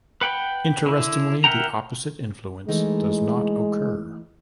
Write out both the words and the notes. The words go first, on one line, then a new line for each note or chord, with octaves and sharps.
Interestingly the opposite influence does not occur.
B4 F#5 G5 B5
D3 E4
A#4 E5 F#5 G5 A#5
E3 G#3 A3 D#4